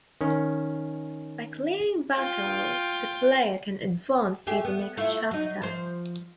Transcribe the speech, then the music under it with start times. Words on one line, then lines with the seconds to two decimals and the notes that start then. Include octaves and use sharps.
By clearing battles, the player can advance to the next chapter.
0.21 D#3 C#4
2.14 F4 G5
4.47 A3 G4 G#4
4.64 B3
4.97 A3 E4 F4
5.31 F#3 D#4
5.62 F3 C5